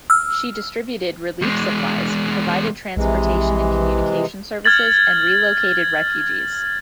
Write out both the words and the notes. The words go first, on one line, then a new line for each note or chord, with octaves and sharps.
She distributed relief supplies, provided transportation and communication services and relocated refugees.
E6 F6
E2 G#3
A#1 C3 E3 G#3
F6 G#6 A6 F#7